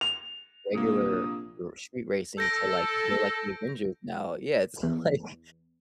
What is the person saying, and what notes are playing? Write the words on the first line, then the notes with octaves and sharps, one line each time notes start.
regular r street racing to like, they're like the Avengers now Yeah, it's like
F7
A#1 C3 A#3 D#6
A4 G6 A#6 D7
E2